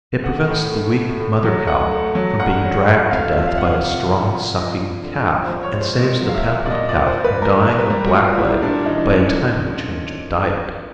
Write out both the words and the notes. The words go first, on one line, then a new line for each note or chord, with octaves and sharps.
It prevents the weak mother cow from being dragged to death by a strong sucking calf and saves the pampered calf from dying of blackleg by a timely change of diet.
A3 F#5
A2
A3
A3
A2
F#3
A3 F#5
A3
F#3
G2 F#5
F#3
A3
F2 F5
E5
F3
E5
F5
C3 F#5
F5
F2
F3
F2
F3 D#5
G2
D3
F3
C5
G2
C#5
G#3
C5
A#2 D#5
F#3
F5
E5
A#2
D5
A#2 D#5
D5
A#2
C5
A#2
B4
G3 A#4
G3 A#4
B4
G3
F#4
G3 F4
G3 E4
A#2 D4
E3 D#4
D4
F2 C#4
D4
F2